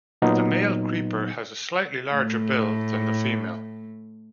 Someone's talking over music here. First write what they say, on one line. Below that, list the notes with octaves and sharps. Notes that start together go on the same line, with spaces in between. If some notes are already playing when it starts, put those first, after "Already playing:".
The male creeper has a slightly larger bill than the female.
A#2 F#3 B3 D#4
A2 A3